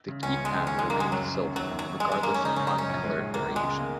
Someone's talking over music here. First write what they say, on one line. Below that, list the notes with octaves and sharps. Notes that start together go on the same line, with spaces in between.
The keypad remained silver regardless of body color variation.
C#3
C#2 C#4
C#2
G#3
C#2
D#2 C#4
G#3 D#4
A#3
C#3 G#3
F#2 F#3
C#4
F#2
D#2 F#3
D#2
F#3
D#2
F#2 G#3
F#2 G#3
A#3
G#3 C#4
C#3 D#4
C#3 C#4
D#4
F#2 C#4
A#1
G#3
A#1
C#2 A#3
C#2
G#3
C#3
A#3